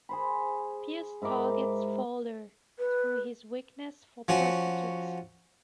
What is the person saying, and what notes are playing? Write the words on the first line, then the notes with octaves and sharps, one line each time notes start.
Pierce targets Fowler through his weakness for prostitutes.
G#4 C5 B5
G#2 E4 A#4 D6
B4
F3 C#4 F#4